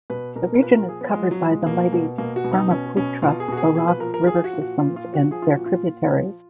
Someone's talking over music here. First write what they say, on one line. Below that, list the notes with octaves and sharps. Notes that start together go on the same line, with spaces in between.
The region is covered by the mighty Brahmaputra-Barak river systems and their tributaries.
B2 B4
B2 A#4
A#4
A#2 B4
A#4
F3 G#4
B3
F3 G#3
F#3
A#2
G#3
B2 A#3
B2
B2 A#3
F#4
B2
D#4
B2 C#4
B2 C#4
B2 F4
G#4
B2 F#4
G#4
A#2 G#4
B4
F3 A#4
A#4
F3 G#4
F#4
A#2
F#4
A#2 F4
F4
F3
F#4
F3 G#4
F4
F#4
A#2
F4
A#2
F3